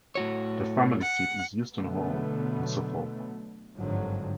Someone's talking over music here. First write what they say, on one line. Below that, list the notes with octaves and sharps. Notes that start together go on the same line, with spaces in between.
The family seat is Euston Hall in Suffolk.
A2 F#4 C#5
F#5
B2 D3 F#3 A3 B3
G#1 G2 D3 F3 F#3